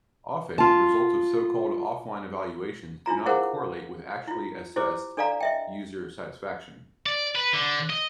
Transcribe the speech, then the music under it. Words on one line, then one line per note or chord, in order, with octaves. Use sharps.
Often, results of so-called offline evaluations do not correlate with actually assessed user-satisfaction.
F4 A5
D4 E4 F4 A#5
E4 G#4 A#4 C5 F5 F#5
E4 F4
E4 G4 C5 D6
D4 A4 D5 F5 A#5
D#5 E5 G5
D5
B4
D3
D#5